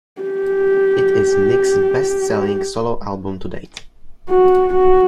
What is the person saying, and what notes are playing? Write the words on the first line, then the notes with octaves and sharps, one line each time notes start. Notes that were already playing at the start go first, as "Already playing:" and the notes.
It is Nicks' best-selling solo album to date.
G4
F#4
F#4